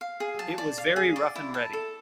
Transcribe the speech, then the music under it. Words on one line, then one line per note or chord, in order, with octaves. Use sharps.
It was very rough and ready.
F5
G#4
A5
D5
F5
G#4
D5
E4
A5
A4